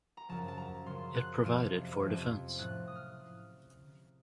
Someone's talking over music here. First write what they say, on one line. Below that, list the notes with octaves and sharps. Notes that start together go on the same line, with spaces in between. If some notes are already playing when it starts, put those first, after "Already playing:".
It provided for defense.
A#5
F#2 C#3 F3 A5
A5
A#5
F#2 C#3 F3 C6
F#6
F2 C3 F3 F6
F2 C3 F3
A2 F3 F#6
D#6
F6